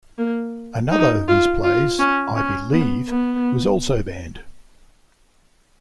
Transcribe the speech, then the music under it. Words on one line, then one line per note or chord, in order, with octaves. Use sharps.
Another of his plays "I Believe", was also banned.
A#3
D#4
F4
F4
C#4
C#4
B3
B3